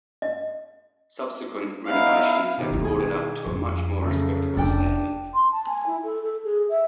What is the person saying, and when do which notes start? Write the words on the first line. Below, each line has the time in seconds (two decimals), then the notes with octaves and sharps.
Subsequent renovations have brought it up to a much more respectable standard.
0.22 D#5
1.87 B3 D#4 E4 F5
2.57 B2 D#3 G4
2.71 D#4 E4
2.85 G#4
3.46 F2
4.02 F#2 C#3 A3
4.57 F1 D4 G5
5.34 C6
5.52 A5
5.66 G#5
5.86 E4
6.04 A4
6.23 A4
6.45 G#4
6.69 E5